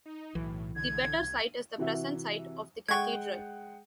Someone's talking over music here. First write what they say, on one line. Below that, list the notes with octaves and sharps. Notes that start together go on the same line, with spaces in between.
The "better site" is the present site of the Cathedral.
D#4
B1 A2 E3
D3 G#6
C2
C3 E3 F#4 E5
G#3 F#5 G5 C#6 G#6